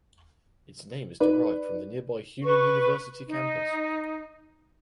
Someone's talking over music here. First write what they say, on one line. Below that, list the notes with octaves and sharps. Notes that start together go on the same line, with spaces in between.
Its name is derived from the nearby Hunan University campus.
D#4 B4 D5
B4 C#6
D#4